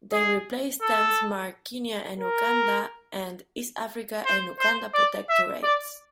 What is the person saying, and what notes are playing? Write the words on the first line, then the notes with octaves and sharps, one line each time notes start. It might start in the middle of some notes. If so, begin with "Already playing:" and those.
They replaced stamps marked "Kenya and Uganda" and "East Africa and Uganda Protectorates".
G#4
A4
A#4
C5
C5
D5
E5
D5